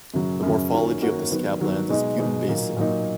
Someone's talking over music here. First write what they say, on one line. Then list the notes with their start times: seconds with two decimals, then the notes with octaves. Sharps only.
The morphology of the scablands is butte-and-basin.
0.14 F#2 C#3 F#3
0.43 F#2 C#3 F#3
0.72 D#3 A#3 C#4 F#4
1.01 D#3 A#3 C#4 F#4
1.30 D#3 F#3 B3
1.60 D#3 F#3 B3
1.89 B2 G#3 D#4
2.18 B2 G#3 D#4
2.48 A#2 F#3 A#3 D#4
2.77 A#2 F#3 A#3 D#4